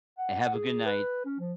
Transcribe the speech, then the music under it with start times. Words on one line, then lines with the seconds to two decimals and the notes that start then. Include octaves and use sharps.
And have a good night.
0.18 F#5
0.40 F#5
0.54 G#4
0.86 B4
1.26 C#4
1.40 F3